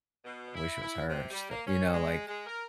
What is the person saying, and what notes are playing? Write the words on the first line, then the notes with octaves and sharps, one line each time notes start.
I wish it was her still you know, like,
B2
E4
E4
C3
G3
A#3
C#4
G#3
G#3
A#4